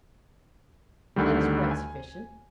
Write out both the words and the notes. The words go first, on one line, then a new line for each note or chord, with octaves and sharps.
'That is quite sufficient.
D2 D3 D#3 G3
G#5